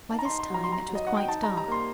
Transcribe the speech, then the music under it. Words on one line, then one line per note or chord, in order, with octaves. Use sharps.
By this time it was quite dark.
D#4 A5
A#5
D#4 C6
C6
F#3 A#5
C6
F#3 A#5
F#3
D#5
D#4 F#5
G5
D#4 A5
G3 A#5
A#5
A#3 C6